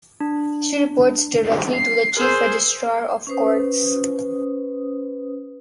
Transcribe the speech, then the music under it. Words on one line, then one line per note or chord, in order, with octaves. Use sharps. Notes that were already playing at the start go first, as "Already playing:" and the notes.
She reports directly to the "Chief Registrar of Courts".
D4
C7
G#4 A#4 C5 E6
C#4 B4 C5 D#6